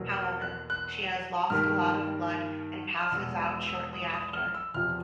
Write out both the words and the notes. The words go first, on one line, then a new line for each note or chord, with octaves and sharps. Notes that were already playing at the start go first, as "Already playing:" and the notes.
However, she has lost a lot of blood and passes out shortly after.
Already playing: E2 B2 F#3 A#3
F6
F#6
F#6
G2 D#3 G3 A#3 F6
F6
E2 B2 G#3 E6
E6
E6
D#6
D#6
F6
E6
E2 C3 F3 F6